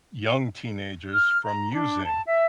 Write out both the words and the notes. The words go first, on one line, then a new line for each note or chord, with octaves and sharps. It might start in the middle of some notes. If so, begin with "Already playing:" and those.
young teenagers from using,
F6
A#5
D4
A5
E5